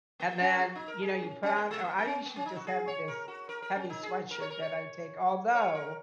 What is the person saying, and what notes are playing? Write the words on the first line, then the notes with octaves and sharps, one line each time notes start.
and then, you know, you put on oh, I usually just have this heavy sweatshirt that I take. Although,
A#3
C#4
A#4
G#4
F#4
D#4
A#4
G#4
C#4
C#4
A#3
G#3
A#3
A#3
C#4
A#3
C#4
D#4
F#4
G#4
C#5
A#4
F#4
A#4
A#4
C#4
D#4
G#4
A#4
C#5
A#4
C#5
C#5
A#4